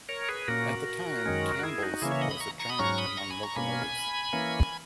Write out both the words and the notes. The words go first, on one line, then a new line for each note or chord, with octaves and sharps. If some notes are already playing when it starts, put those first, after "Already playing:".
At the time, Campbell's was a giant among locomotives.
A#4 C#5
G#4 B4
A#2 A#3 C#4 F#4 A#4
F#2 D#3 G#3 C#4
F#4
E4 G#4
D#4 F#4
C#3 E3 A#3 C#4 E4 G#4
C#5 E5
D#5 F#5
B5 D#6
A#5 C#6
A#5 C#6
B5 D#6
G#2 F#3 C#4 A#5 C#6
B5 D#6
A#5 C#6
G#5 B5
A#5 C#6
B2 A#3 C#4 G#5 B5
E3 A#3 C#4